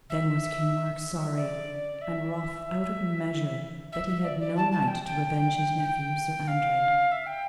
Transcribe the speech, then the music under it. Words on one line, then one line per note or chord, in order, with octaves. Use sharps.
Then was King Mark sorry and wroth out of measure that he had no knight to revenge his nephew, Sir Andred.
E5
D5
E5
E5
E5
D5
D5
A5
A5
G5
G5
G5
F5
E5
G5